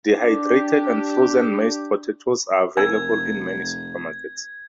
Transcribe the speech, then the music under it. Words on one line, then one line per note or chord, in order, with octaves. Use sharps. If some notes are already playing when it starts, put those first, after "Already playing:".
Dehydrated and frozen mashed potatoes are available in many supermarkets.
D4 G4
F1 A#4 G#5 E6 G#6